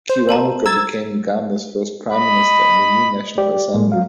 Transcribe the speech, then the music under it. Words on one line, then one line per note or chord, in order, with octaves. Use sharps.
Kiwanuka became Uganda's first prime minister in the new National Assembly.
C5
A#4 A5 A#5
A#5 E6 G#6 A6
D#5 B5
G4 D5
A2 G#3 A#3
F#3 F5